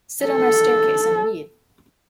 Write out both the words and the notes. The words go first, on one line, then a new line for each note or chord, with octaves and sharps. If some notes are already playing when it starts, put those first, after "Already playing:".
Sit on our staircase and read.
A4